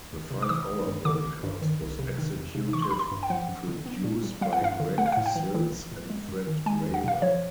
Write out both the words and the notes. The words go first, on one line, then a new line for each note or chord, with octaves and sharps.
The five-hour broadcast was executive produced by Greg Sills and Fred Graver.
D2
C3
D6
E3 D#6
G#1
G2
D3 D6
A1
G2
D#3
C2
C3
D#3
F2
C3
E3 C#6
C6
A1 B5
C6
G2
G5
F3 F#5
F#2
D3
B3
A#2
G3
G3 F5
F#5
G2 F5
D3
A3 F#5
F5
A2 F#5
G5
E3
E3
A#1
A2
G#3
F#2
D#3
G#3 G#5
E2
F#5
B2 F5
F3 C#5